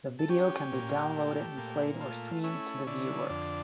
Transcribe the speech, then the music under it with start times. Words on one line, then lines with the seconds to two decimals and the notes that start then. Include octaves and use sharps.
The video can be downloaded and played or streamed to the viewer.
0.19 A4
0.29 C#4 G4
0.72 A#2
1.15 A3
1.58 A#2
2.00 A3 F4
2.44 C#4 E4
2.87 D3 E4
3.30 F2 D4